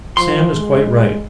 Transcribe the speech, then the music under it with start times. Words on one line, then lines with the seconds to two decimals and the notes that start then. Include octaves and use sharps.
'Sam is quite right.
0.17 F3 C6
0.58 G#3